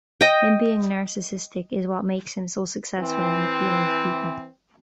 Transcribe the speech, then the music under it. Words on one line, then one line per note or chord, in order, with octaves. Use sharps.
Him being narcissistic is what makes him so successful and appealing to people.
D#5 G5
E3 C4